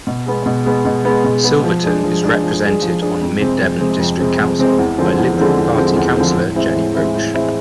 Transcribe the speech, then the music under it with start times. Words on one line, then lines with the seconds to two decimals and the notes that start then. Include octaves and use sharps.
Silverton is represented on Mid Devon District Council by Liberal Party Councillor, Jenny Roach.
0.07 B2
0.26 G#3 B3
0.46 B2
0.65 G#3 B3
0.85 B2
1.05 G#3 B3
1.24 B2
1.44 G#3 B3
1.64 F3
1.83 G#3 D4 G#4
2.03 F3
2.23 G#3 D4 G#4
2.43 F3
2.62 G#3 D4 G#4
2.82 F3
3.02 G#3 D4 G#4
3.21 F2
3.41 C3 G#3 C4
3.60 F2
3.80 C3 G#3 C4
4.00 F2
4.20 C3 G#3 C4
4.39 F2
4.59 C3 G#3 C4
4.79 E2
4.98 D3 F3 G#3 C4
5.18 E2
5.37 D3 F3 G#3 C4
5.57 E2
5.77 D3 F3 G#3 C4
5.96 E2
6.16 D3 F3 G#3 C4
6.36 A2
6.55 E3 G#3 C4 E4
6.75 A2
6.95 E3 G#3 C4 E4
7.14 A2
7.34 E3 G#3 C4 E4